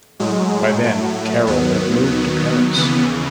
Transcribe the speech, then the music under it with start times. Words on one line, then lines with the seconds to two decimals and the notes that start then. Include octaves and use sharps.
By then, Carroll had moved to Paris.
0.20 A2 F#3 G#3
0.83 A3
1.47 D#2 D#3 F#3 B3
2.75 D#2 C#3 E3 B3